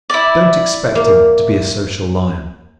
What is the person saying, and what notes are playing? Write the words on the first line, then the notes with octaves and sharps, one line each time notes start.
Don't expect him to be a social lion.
E4 D5
A#3